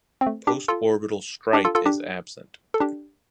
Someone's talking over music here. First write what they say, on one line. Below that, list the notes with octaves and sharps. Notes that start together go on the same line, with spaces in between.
Postorbital stripe is absent.
C4
A3
D4 G4
F4 A4
D4 G4
F4 A4
F4 A4
D4 G4
A4
D4 G4